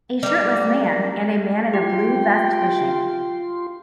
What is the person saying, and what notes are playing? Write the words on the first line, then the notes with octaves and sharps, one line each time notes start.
A shirtless man and a man in a blue vest fishing.
G3 A#3
F4 G4 G5 C6